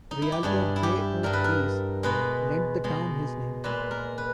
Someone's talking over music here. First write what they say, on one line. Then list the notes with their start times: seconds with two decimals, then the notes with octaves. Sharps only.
Realtor J. O. Treece lent the town his name.
0.11 D#4
0.22 E4
0.32 G4
0.43 G2 G3 G#4
0.76 E4
0.83 G4
1.23 G2 G3 A#4
1.33 B4
1.44 A#4
2.03 B2 G#3 B4
2.84 B2 G#3
3.64 A#2 G#3 B4
3.91 A#4
4.18 B4